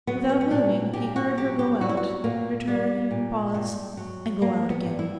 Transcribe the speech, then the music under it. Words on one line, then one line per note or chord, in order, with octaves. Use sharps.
Without moving he heard her go out, return, pause, and go out again.
F#3 B3
C#4
C#4
A#2 D4
A#2 G4
F#4
F#3 G4
G4
G3 F#4
E4
F#4
A#2 A#3
G3
A#2
G2
F#3
G2 A#3
B3
G2
E4